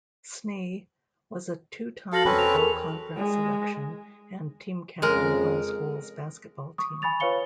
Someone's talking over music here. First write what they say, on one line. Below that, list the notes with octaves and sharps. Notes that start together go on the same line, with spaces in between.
Snee was a two-time All-Conference selection and team captain on the school's basketball team.
F#4 A4 F5 A#6 F#7
E2 C4 C#4 A4 B4 B5
F7
G#4 A#4 F7
G#3
F2 C#3 G#3 A#4
C#6 D#6
G#5 B5 C#6 A6 F7
F4 B4 C#5 F5 C#7 G7